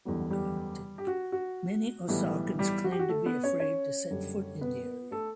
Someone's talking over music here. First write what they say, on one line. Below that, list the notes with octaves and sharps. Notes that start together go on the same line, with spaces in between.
Many Osakans claim to be afraid to set foot in the area.
F#1 E2 D3 G3 B3
G3 G4
G4
F#4
F#4
B1 A2 E3 G3 B3
G3 G4
F#4
G4
F#4
A3 A4
B3 B4
C#4 C#5
C#4 C#5
F#1 F#2 D3 G3
B3 B4
A3 A4